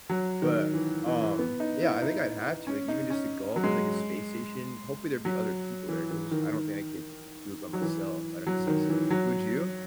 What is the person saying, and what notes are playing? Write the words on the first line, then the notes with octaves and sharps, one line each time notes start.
but, um, yeah, I think I'd have to, like, even just to go up in, like, a space station, hopefully, there'd be other people there 'cause there's I don't think I could do it by myself out of necessity. Would you?
F#3
D#3
E3
E3
E3
B3
D#4
E4
D#4
C#4
D#4
C#4
F#3
G#3
F#3
E3
E3
D#3
F#3
E3
F#3
D#3
E3
F#3